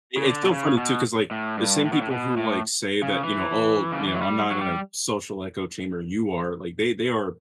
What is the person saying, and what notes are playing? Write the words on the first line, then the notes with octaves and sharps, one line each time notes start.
I it's so funny, too, 'cause, like, the same people who, like, say that, you know, "Oh" you know, "...I'm not in a social echo chamber. You are." Like, they they are
C#3
D3
B2
C#3
B2
A2
G2
A2
B2
A2
B2
A2
C#3
E3
C#3
D3
E3
F#3
G3
F#3
G3